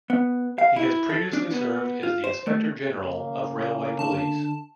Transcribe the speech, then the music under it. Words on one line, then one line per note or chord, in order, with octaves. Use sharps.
He has previously served as the Inspector General of Railway Police.
B3
F5
E4
A4
D4
B3
F4
C5
A3
C#3 A#3
D3 A5